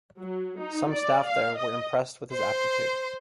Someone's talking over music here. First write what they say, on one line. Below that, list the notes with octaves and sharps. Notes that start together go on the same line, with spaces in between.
Some staff there were impressed with his aptitude.
F#3
D#4
D5
F5
D#5
C5 C6